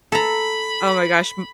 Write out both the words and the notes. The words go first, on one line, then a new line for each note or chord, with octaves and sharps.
Oh my gosh, m
A4 A#5 B5